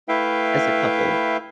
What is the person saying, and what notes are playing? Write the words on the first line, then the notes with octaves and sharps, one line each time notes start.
as a couple.
A3 E4 B4 E5 F5 G5